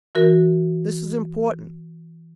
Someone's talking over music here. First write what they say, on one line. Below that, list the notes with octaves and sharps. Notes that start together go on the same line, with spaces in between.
This is important.
E3 F#4 A#4